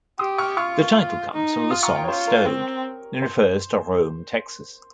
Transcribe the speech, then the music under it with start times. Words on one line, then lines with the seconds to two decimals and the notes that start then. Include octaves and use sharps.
The title comes from the song, "Stoned," and refers to Rhome, Texas.
0.19 G4 C6 D#6
0.38 C#6 F6
0.57 F4 C#6 F6
1.33 D#4
1.70 F4 C6 D#6
1.83 A#5 C#6
1.96 G5 A#5
2.04 C#5
2.08 F4 C5
2.27 A#4
2.46 C4
3.22 C5